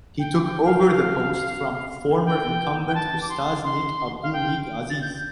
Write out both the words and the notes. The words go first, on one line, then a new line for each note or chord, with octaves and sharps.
He took over the post from former incumbent Ustaz Nik Abduh Nik Aziz.
G5
G5
F5
G5
F5
G5
G5
A5
D6
C6
C6
F5
G5
A6
G6